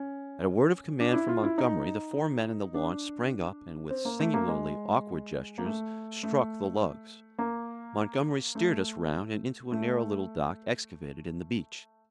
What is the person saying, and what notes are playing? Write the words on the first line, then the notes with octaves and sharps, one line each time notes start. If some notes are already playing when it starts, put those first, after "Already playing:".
At a word of command from Montgomery, the four men in the launch sprang up, and with singularly awkward gestures struck the lugs. Montgomery steered us round and into a narrow little dock excavated in the beach.
Already playing: C#4
D4
E4
F4
E4
D#4
D4
C4
A#3
A3
A#3
G#3
A#3
A3
A3
A#3
A3
A3